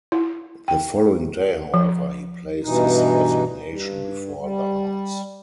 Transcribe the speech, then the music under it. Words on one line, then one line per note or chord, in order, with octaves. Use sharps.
The following day, however, he placed his resignation before the House.
E4
G5
F3
G2 B2 E3 D#4
G2
G3